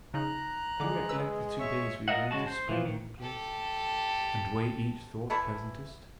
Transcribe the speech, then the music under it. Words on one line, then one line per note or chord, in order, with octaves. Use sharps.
'You recollect the two days we agreed to spend in the place and way each thought pleasantest?
C#3 D#4 A#5 F#6
D3 G#3 D6
B4 E6
C#5 E5 C#6
F4 A#4 D#5 E5 F#5
C#3 G#3 F#4 A5
C5
E3 F3
D#3
G4 A4
E3 A3 E4